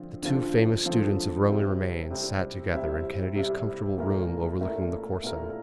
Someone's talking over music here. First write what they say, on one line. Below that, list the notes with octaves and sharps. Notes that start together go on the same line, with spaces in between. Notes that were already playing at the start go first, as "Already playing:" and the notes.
The two famous students of Roman remains sat together in Kennedy's comfortable room overlooking the Corso.
Already playing: D3 F3 C4 F4
D3 F3 C4 F4 A4
D3 F3 C4 F4 A4
C3 G3 C4 E4
C3 G3 C4 E4
C3 G3 C4 E4
C3 G3 C4 E4
A#2 A3 E4 A#4
A#2 A3 E4 A#4
A#2 A3 E4 A#4